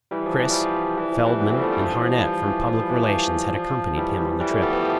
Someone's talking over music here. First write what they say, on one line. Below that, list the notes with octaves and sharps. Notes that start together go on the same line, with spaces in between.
Chris, Feldman and Harnett from Public Relations had accompanied him on the trip.
E3 G3
F3
E3
G3
F3
E3
F3
E3 G3
B3 D4
A3 C4
G3
F3 A3
G3
F3
E3
F3
G3
F3
E3
F3
E3 G3
E3
F3
F3
E3 G3
E3 G3
F3 A3
G3 B3
E3 G3
F3